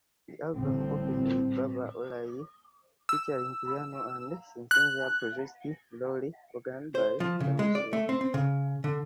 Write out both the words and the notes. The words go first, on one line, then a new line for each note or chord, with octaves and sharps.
The album opened with "Baba O'Riley", featuring piano and synthesizer-processed Lowrey organ by Townshend.
A1 A2 D3 G3 C4
E6
F#6
C5
F3
C#3
G#3
D5
A3
C4
C4
C#3
D3